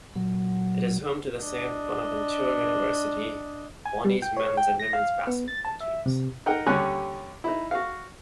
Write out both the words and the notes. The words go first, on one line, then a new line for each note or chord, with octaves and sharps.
It is home to the Saint Bonaventure University Bonnies men's and women's basketball teams.
A#2 F#3
D4 D#5
G#5
G3
G5
C#5
G5
A#6
F5
B3
A6
A5
E5
C3
D#4 A#4 F#5 G5
D#2 D3 G3 C#4 G#5 F#6
D#4 E4
F#4 F5